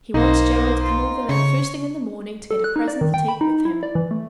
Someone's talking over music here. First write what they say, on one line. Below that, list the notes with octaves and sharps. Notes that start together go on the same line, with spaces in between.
He wants Gerald to come over there first thing in the morning to get a present to take with him.
B1 A#3 D#4 C5
F4
C#3 C#5
A4
F#6
D#4
D5
D#3
G5
B5
D#4
E4
D5
E3
A3